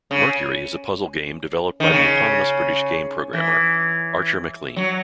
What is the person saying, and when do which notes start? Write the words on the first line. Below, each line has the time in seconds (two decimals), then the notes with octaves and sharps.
"Mercury" is a puzzle game developed by the eponymous British game programmer, Archer MacLean.
0.11 C#3
1.80 D#3
1.90 C#3
3.33 E3
4.76 F#3